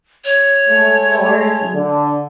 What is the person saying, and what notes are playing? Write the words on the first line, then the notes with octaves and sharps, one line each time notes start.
chores and
C#5
G#3 A3
D3